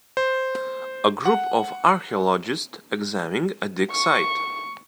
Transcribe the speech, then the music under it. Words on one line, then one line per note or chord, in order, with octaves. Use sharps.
A group of archaeologists examining a dig site.
C5
F#5
C#6